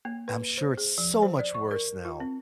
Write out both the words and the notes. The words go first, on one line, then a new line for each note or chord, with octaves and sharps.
I'm sure it's so much worse now.
A#3
B4
C5
G#4
F3
C5
D5
C#6
A#4
F4
C4